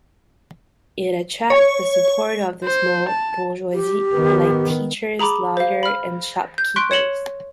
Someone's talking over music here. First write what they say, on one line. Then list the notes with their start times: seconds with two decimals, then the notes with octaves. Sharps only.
It attracted the support of the small "bourgeoisie", like teachers, lawyers and shopkeepers.
1.50 C#5
2.65 C5
3.08 A5
3.73 G4
4.14 D#3 B3
5.19 G#4 A#5 B5 D6
5.57 C5 F5
5.83 B5 F6
6.58 G6
6.76 C6 C#6 F#6 B6 D7
6.91 C#5 C#7 E7 F#7 G7